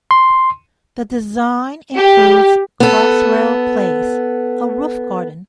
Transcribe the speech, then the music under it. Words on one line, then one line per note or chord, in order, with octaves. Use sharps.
The design includes Crossrail Place, a roof garden.
C6
G4
B3 A4